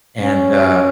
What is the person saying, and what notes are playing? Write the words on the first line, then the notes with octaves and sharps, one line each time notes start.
and, uh,
C#4